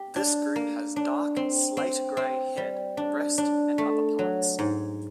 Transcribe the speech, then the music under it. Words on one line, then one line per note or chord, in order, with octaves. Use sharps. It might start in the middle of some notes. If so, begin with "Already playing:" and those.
This group has dark slate-gray head, breast and upperparts.
Already playing: G4
D4
A#3
D4
C4
C4
C4
G3
D4
D4
A3
F#3
G#2